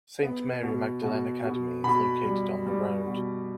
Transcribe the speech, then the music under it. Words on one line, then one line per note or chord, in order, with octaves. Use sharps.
Saint Mary Magdalene Academy is located on the road.
B3
B2
B2
B2
B2 B5
G3
G3
B2